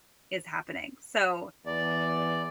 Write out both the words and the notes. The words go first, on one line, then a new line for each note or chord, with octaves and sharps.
is happening?" So
E2 D5